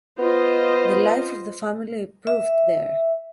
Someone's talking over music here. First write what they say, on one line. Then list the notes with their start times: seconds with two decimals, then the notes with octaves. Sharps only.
The life of the family improved there.
0.19 B3 F4 C5 D#5
2.27 E5